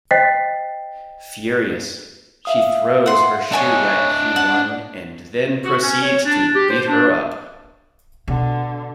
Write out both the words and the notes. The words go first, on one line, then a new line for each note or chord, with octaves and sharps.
Furious, she throws her shoe at Hee-won and then proceeds to beat her up.
C5 D#5 G5 A6 B6 C7
E5 F5 D#6
F#5 C6
D4 C#5 D#5 G#5 E6
F#5
F#4
C#4
C#5
D4
G4
C5
D4
B2 D3